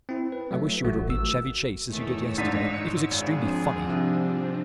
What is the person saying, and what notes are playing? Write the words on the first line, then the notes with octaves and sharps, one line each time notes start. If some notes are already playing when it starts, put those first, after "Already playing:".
I wish you would repeat Chevy Chase as you did yesterday: it was extremely funny.
C4 E4
B4
F#3 A3
A1 A3 F#4
G#1 E6
E2 D#3 A3 C#5 E6
G#1 G#2 D4 D#4 A6 B6 D#7
C#7
G#1 F3 C4 D4 G#4
C3 G3